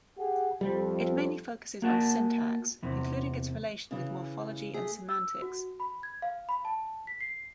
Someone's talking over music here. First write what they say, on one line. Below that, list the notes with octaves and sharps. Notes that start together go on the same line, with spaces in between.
It mainly focuses on syntax, including its relation with morphology and semantics.
G4 G#4 F#5
F2 G3
A#3 F#4 A5
E2 C3
C#3 E3
A3 G#4
E6
F#4
B5
G#6
F5
B5
A5
B6
C7